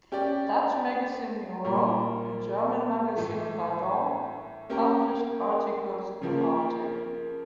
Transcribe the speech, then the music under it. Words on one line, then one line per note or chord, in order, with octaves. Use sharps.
Dutch magazine "Miroir" and German magazine "Pardon" published articles about him.
C#4 G4 D5
A#2 G3 A#3
A2 E3 A3
A#3 C#4 G4 A#4
C#3 F3 A#3